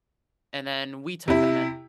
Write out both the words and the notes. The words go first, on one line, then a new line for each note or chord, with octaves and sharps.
and then we took them in,
C3 E4